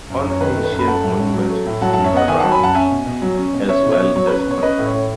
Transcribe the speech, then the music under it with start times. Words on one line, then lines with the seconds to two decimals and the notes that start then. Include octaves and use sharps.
On ancient monuments we see it round as well as conical.
0.10 F#2
0.25 F#2 C#5
0.41 D#3 B4
0.57 A3
0.64 B4
0.72 F#2
0.79 B5
0.88 A3 F#5 A5
1.03 A2
1.19 C#4
1.34 F#3
1.50 A3
1.66 A2
1.81 F#3 F#5 A5
1.93 F#2 F#5 A5
2.04 C#5 E5
2.13 B3 D#5 F#5
2.28 D#3 E5 G#5
2.40 F#3 F#5 A5
2.51 G#5 B5
2.59 F#2 F#5 A5
2.75 C#4 E5 G#5
2.90 B2
3.06 B2
3.22 F#3
3.37 C#4
3.53 B2
3.69 C#4 C#5 E5
3.85 B2
3.92 C#5 E5
4.00 B2
4.16 F#3 C#5
4.27 B4
4.31 C#4
4.39 B4
4.47 B2 C#5
4.63 C#4 B4 D#5
4.78 A2
4.86 C#5
4.94 A2